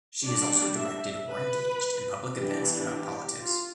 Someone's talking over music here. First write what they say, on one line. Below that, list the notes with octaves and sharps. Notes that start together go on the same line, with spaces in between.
She has also directed or engaged in public events about politics.
G3 D4 D5
E5
B4
E3 B3 D4 G4
G4
F4